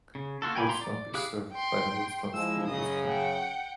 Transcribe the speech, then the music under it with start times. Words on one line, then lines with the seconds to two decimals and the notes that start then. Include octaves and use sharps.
Woodstock is served by the Woodstock School District.
0.15 C#3
0.42 A#3 F4 F#4 A4
0.55 G5 G#5 A#5 B5 D6
0.69 B3 A#5 C6
0.81 D5
1.14 E4 G4 G#4 F5 F#6
1.52 G5 C6
2.34 F3 G#3 E4 E6
2.67 F#2 C#3 D#5 D#6
3.08 F#5 G5